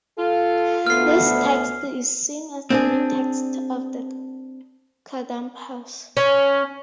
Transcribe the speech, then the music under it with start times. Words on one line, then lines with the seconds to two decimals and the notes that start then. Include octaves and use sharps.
This text is seen as the main text of the Kadampas.
0.18 F4 A4
0.87 D2 A3 B3 F6 C7
2.70 C4 D4 G#4
6.17 C#4